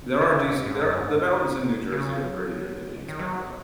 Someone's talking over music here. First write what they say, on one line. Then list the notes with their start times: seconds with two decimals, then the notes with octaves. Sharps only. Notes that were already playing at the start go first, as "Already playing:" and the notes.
There are decent there are the mountains in New Jersey are prettier than you expect, though.
0.21 D#3
0.33 C#3
0.50 G#2
0.66 G#2
0.82 F#2
0.98 G#2
1.61 B2
1.77 C#3
1.92 C#3
2.23 F#3
2.87 G#3
2.98 F#3
3.08 D#3
3.19 F#3